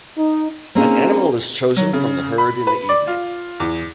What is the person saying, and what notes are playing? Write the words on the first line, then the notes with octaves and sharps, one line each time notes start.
An animal is chosen from the herd in the evening.
D#4
A#3 C4 C#4 D#4 G#4
F#3
C#3
B5
B4
D5
F4
E2